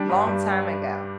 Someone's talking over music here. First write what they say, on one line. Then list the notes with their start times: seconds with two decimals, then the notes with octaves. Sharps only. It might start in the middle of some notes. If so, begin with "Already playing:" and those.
Long time ago.
Already playing: G3 D4
0.09 G2
0.27 G3